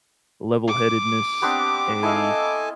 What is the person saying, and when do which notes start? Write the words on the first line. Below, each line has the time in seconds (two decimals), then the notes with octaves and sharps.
level-headedness, a,
0.67 D6
1.42 B3 C4 D4 G4
2.03 E4 A4 D#5 F5 G#5 A5